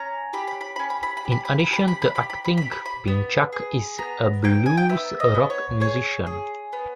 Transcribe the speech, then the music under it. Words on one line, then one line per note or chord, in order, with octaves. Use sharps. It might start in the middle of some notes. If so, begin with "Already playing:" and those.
In addition to acting, Pinchak is a blues rock musician.
Already playing: C#4 A#5
G4 B5
B5
B5
B5
C#4
B5
B5
B5
G4
B5
B5
B5
G4 B5
B5
B5
G4 B5
B5
B5
B5
G4
B5
B5
B3
G#4
B3 A#5
D#4 G5
G#5
G5
B3 E5
D#5
B3
C#5
G#4 C#5
G#4
B3